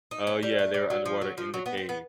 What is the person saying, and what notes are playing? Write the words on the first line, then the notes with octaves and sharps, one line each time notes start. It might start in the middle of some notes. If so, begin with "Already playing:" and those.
Oh, yeah. They were underwater in the cave.
D#4
C#4
G3
A3
G3
F#3
F3
F#3
F3
F#3
B3
C4
B3